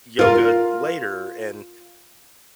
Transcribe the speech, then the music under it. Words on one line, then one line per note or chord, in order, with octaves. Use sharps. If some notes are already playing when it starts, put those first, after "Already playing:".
yoga later and
F4 A#4